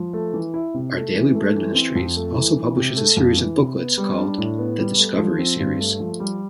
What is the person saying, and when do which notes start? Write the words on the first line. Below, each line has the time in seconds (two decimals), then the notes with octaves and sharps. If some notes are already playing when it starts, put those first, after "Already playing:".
Our Daily Bread Ministries also publishes a series of booklets called "The Discovery Series".
Already playing: F3
0.13 A3
0.33 E3
0.54 E4
0.74 C3
0.94 A3
1.15 E3
1.35 A3
1.56 E3
1.75 C4
1.95 F2
2.16 A3
2.36 E3
2.56 E3
2.76 C3
2.97 A3
3.17 F2
3.37 E3
3.57 C3
3.78 B3
3.98 G3
4.17 D4
4.38 A2
4.59 B3
4.79 G3
4.99 A3
5.18 F3
5.39 C4
5.60 G2
5.80 A3
6.00 F3
6.20 G3